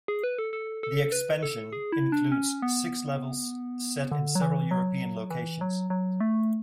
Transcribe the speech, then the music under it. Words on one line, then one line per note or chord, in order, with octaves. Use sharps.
The expansion includes six levels set in several European locations.
G#4
B4
A4
A4
A4
B4
A4
G#4
E4
D4
C#4
B3
D3
F#3
E3
F#3
E3
F#3
F#3
A3